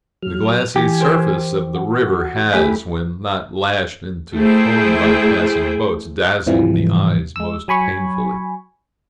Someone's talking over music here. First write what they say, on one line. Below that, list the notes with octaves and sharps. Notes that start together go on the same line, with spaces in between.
The glassy surface of the river has, when not lashed into foam by passing boats, dazzled the eyes most painfully.
F#3 F6
E3 G4 G#5
A#4 C5
F#4
A3 E4 G4 G#5 B5
A3 E4 G#4 C5 G5
G#2 C3 E3 F3 G3
G#3 E6
F#3 G#5 B5 C#6